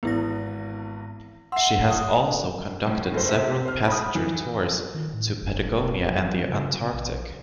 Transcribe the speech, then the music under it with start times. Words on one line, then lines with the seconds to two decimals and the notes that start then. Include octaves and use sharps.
She has also conducted several passenger tours to Patagonia and the Antarctic.
0.03 G#1 E3 B3 E4 A#6
1.52 E5 F#5 C6 E6 C7
1.90 D#6
2.87 A2
3.13 F#1 A4 C5
3.29 C3 E5
3.65 C5 F6
3.88 B5 D#6
4.15 E3
4.94 D#3
5.13 A2
5.42 F#1
5.74 D#1
6.04 G1
6.21 F3
6.49 C#3
6.80 C#3
6.93 A#1